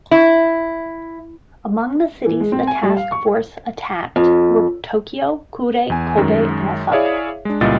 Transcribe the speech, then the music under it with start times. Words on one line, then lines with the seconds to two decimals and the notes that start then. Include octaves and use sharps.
Among the cities the task force attacked were Tokyo, Kure, Kobe, and Osaka.
0.11 E4
2.26 E3
2.40 G#3
2.52 C4
2.67 G#5
2.83 G3
2.97 F5
3.12 C#6
4.16 F2
5.90 E2 G#5
6.17 F#2 D#3 G#3
6.91 E4 G#4 C#5 D5 E5 F5
7.45 G#3 D4
7.61 C#2 A#2 G3 E4 D#5 A6